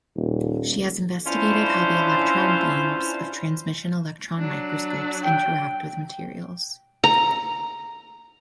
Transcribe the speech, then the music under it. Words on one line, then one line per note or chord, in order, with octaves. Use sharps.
She has investigated how the electron beams of transmission electron microscopes interact with materials.
D#1
C#4 D4 E4 F4 B4 C5
F#3 D4
G5
A#5